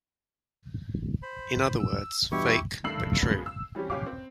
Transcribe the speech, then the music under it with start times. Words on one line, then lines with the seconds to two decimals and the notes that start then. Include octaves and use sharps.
In other words, fake but true.
1.22 C5 B5
1.80 E6
2.32 E2 G2 B2 E4 G4 C#6
2.84 G2 D#3 A3 E6 C7 F#7
3.21 C#3 G#3 B3 A4
3.46 E6
3.75 E3 G3 C4 C#4 G4
3.90 G1 C#4 G4 F5 D6
4.06 C4